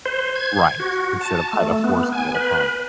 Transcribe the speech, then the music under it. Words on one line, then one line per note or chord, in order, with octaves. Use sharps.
Right. Instead of, kind of, forcing it upon them.
C5
G#6
F#4
A5
A3
B3
G#5
B4